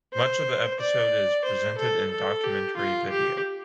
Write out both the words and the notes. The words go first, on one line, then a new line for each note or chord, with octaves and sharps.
Much of the episode is presented in documentary video.
C5
D5
C5
A4
A4
G4
F4
G4